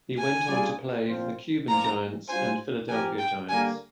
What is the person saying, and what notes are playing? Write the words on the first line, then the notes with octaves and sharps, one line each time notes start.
He went on to play for the Cuban Giants and Philadelphia Giants.
G#5
G3 D4 F4 G#4 D5
A#2 F3 C4 F4 C5
A#2 F3 A#3 D4 F4 A#5
G3 D4 F4 C5 G#5
F3 C4 G4 A#4 G#5
G5
D3 G3 A#3 G#5